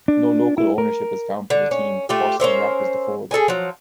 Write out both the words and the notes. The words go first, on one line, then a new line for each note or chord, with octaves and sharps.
No local ownership was found for the team, forcing the Rockers to fold.
D4
E4
A#4
D3
C#4
A3 F4 G4
C#4 A#4 C5 E5
G#4 A4 D#5 G#5
F3 F#3